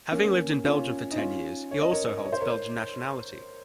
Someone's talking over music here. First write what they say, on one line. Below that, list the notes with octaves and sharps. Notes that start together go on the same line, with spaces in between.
Having lived in Belgium for ten years, he also holds Belgian nationality.
A#3 C#4
C#4 F4
D#4
C#4 F4
C#5
D#5
A#4 C#5
C#5
C5
A#4 C#5